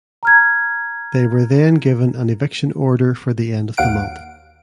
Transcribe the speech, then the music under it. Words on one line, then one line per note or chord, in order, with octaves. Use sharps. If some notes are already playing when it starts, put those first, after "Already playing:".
They were then given an eviction order for the end of the month.
A#5 F6 G#6
D#2 F5 F#5 D7